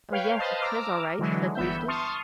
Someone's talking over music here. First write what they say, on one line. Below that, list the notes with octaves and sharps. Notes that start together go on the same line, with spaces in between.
"Oh, yes, it's his all right," said Eustace.
B4 C#5 F5 G5
B4 C5 D#5 F5 A5 C6
A#5 D6 E6 F6
D3 E3 F#3 G#3
G1 E3 B3 E5 G6
A5 C6 C#6 D#6 F6